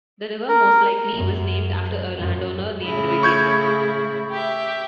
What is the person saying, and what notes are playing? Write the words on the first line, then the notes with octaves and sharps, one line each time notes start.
The river most likely was named after a landowner named Williams.
A#4
F#2
F#2
A2 C#3 E4
C#6 G6 G#6
G4 E5